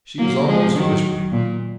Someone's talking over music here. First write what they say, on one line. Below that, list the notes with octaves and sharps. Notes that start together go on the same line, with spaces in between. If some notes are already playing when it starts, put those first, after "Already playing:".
She was almost whispering.
F#3 A#3
F3 G#3
D#3 F#3
A#2